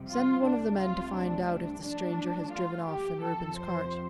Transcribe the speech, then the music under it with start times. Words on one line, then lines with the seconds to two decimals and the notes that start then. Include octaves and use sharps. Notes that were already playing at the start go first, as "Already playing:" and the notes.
"Send one of the men to find out if the stranger has driven off in Reuben's cart."
Already playing: F2 C3 G3
0.09 F4
0.44 C2 C3 A3 D4
0.79 F4
1.14 D4
1.83 G2 F3 A3 D4
2.52 F4
2.87 G4
3.22 F2 C3 F3 A4
3.58 C5